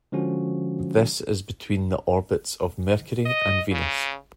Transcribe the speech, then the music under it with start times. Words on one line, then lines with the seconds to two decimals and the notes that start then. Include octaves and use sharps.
This is between the orbits of Mercury and Venus.
0.12 D3 F3 G#3 C#4 F#4
3.26 D#5
3.72 C#3